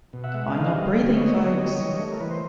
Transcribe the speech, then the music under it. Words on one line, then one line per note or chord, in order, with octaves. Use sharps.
I'm not breathing folks!
B2
E5 F#5
G#3
D3 D#5 F5
G3
D3
B3 C#5 D#5
D3
G3
E3
A3
A#4
E3 B4
C5